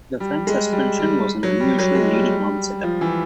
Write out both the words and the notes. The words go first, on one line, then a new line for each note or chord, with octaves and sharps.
The front suspension was an unusual leading-arm set-up.
G3
G#3
G3
G3
F#3
G3
F#3
G#3
G3
F3
E3